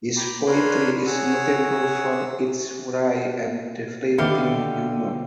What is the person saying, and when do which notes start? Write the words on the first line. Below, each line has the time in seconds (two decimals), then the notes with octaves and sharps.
His poetry is notable for its wry and deflating humor.
0.17 G5 A#5 B5 D6
0.46 D4 A#4 B4 C#5 B5 C6
1.06 G#4 C#5 F#5 E6
4.18 D3 D#3 A#3 D#4 G4 E5 F5 C#7